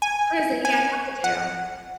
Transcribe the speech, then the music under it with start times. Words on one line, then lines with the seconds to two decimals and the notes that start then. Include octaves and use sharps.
The prison, yeah, not the jail.
0.02 G#5
0.65 G#5
1.24 F#5